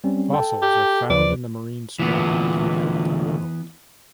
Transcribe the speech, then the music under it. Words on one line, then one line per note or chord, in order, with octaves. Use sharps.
Fossils are found in the marine strata throughout the world.
G3 C4 C#4
A4 G5 A5
G4
D#2 F3 B4 D5
D2 A#2 E3 B3